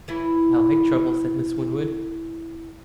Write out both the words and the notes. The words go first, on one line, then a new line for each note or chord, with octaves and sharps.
"I like trouble," said Miss Winwood.
E3 E4